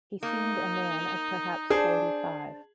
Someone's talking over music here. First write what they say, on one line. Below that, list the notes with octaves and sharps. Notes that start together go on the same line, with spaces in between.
He seemed a man of perhaps forty-five.
A#3 D#4
D4 G#4 C5